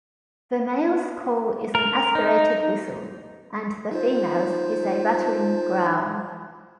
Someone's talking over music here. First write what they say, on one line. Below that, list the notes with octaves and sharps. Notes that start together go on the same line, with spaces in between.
The male's call is an aspirated whistle, and the female's is a rattling growl.
A#4
D#4
D#4 F4 C5